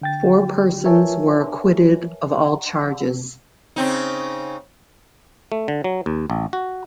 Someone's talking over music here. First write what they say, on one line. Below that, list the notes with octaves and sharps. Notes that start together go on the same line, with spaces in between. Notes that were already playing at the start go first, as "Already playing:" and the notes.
Four persons were acquitted of all charges.
D3 G5 A6
A#4 B4 C#5 E5 G#5 A5
C#3 C4 D#4
A3
D3
F#3
D#2
A1
F#4